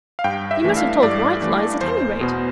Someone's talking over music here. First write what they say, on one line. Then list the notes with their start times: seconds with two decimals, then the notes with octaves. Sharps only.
You must have told white lies, at any rate.
0.19 F5
0.24 G2 G5
0.51 E5
0.64 E3 A3 D4
0.77 F5
1.03 G2 D5
1.42 E3 A3 D4
1.81 E2 C5
2.21 B2 B3